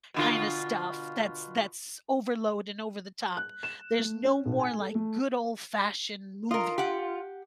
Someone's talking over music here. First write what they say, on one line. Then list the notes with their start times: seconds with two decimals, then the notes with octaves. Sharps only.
kinda stuff that's that's overload and over the top. There's no more, like, good old-fashioned movie,
0.14 B2 D3 F4
3.37 F#6
3.63 E7
3.99 A3
4.24 C#4
4.45 B1
4.60 G#5
4.79 A4
4.95 A3
6.51 F4 A#4 D#5
6.78 G4 F#5